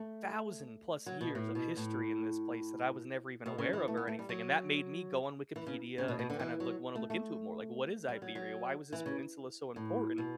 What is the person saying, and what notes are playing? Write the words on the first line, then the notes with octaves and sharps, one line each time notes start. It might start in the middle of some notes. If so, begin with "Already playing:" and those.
thousand plus years of history in this place that I was never even aware of or anything, and that made me go on Wikipedia and kind of look like, wanna look into it more, like, what is Iberia? Why was this peninsula so important?
Already playing: A3
F#3
B2
A2
B2
A2
B2
C#3
E3
A3
B3
A3
G3
F#3
E3
C#3
C#3
B2
B2
D3
E3
F#3
A3
A3
G3
F#3
F#3
E3
C#3
A2
B2